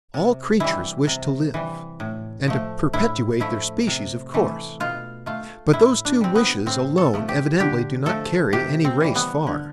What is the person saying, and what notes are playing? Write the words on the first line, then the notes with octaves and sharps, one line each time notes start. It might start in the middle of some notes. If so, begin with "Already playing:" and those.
All creatures wish to live, and to perpetuate their species, of course; but those two wishes alone evidently do not carry any race far.
C3
E3 G3 E4
C3
E3 G3
A2
F3 A3
A2 E4
F3 A3 E4
C3
E3 A3
B2 F4
A3 F4
A2 E4
D4
G3 C4
B3
A2 C4
A4
F3 A3
G4
D3 G4
F3 A3 A4
C3 G4
C4
E3 G3
B3
D3